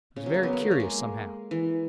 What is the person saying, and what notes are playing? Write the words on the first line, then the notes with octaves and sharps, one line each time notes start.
It was very curious, somehow.
C#3
F#3
A#3
B3
A#3
A3
A#3
G#3
E3